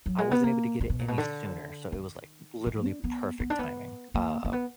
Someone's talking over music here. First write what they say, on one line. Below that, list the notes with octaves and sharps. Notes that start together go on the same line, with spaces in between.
I wasn't able to get it any sooner. So it was, like, literally perfect timing, uh,
F#3
G#3
B3
A#3
D3
B2
A#2
B2
D3
D#3
D#3
D4
B3
B3
D4
B3
A#3
A#3
B3